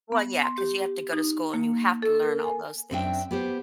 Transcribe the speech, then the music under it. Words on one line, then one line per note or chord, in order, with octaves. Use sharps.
Well, yeah, 'cause you have to go to school, and you have to learn all those things.
B3
C6
G4
D#4
A#3
A4
A#4
G#5
F#2 C4 D4 E5 G5
B3 G4 C5